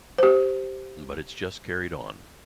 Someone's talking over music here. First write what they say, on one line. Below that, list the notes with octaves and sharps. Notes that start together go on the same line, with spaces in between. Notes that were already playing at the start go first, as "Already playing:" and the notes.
But it's just carried on.
G4 C5